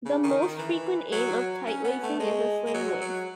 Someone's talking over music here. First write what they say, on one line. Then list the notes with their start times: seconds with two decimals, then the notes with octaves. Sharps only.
The most frequent aim of tightlacing is a slim waist.
0.06 C#3
0.24 D#3
0.42 D#3
0.59 E3
1.12 F#3
1.67 C#4
1.84 B3
2.03 A3
2.20 G#3
2.67 G#3
2.74 F#3
3.01 F#3